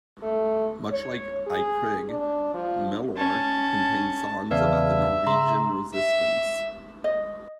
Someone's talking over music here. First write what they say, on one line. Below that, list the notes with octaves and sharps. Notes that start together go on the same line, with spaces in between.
Much like I Krig, Milorg contains songs about the Norwegian resistance.
A3
C#5
G#4
D4
F3
C#4 A5
E2 C#3 B4 D5 E5 F5 A5
C#3 A#5 C6
E5
D#5